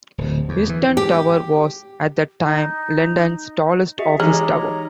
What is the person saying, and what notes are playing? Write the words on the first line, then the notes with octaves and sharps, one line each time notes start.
Euston Tower was, at the time, London's tallest office tower.
D1
E2
E3
G4
D#4
F#4 G#4 D#5 E5
E3 G#3 D#4 G4 C#5 A#5